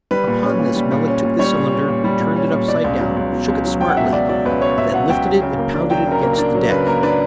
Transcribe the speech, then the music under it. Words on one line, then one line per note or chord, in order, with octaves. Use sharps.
Upon this Melick took the cylinder, turned it upside down, shook it smartly, and then lifted it and pounded it against the deck.
G3 B4
A#2
C#4
A#2
G3
A#2
C#4
A#2
G3 C#5
A#2
C#4
A#2
G3
A#2
C#4
A#2
B2 D5
C#2
F#3
C#2
B2
C#2
F#3
C#2 G5
F#5
B2 E5
C#2 D5
F#3 D5
C#2 B4
B2 C#5
C#2 E5
F#3 F#5
C#2 G5
F#3
C#3
A#3
D4
F#3 G5
C#3
A#4
A#3
D4 A#4
F#3
C#3 B4
A#3 A#4
D4 B4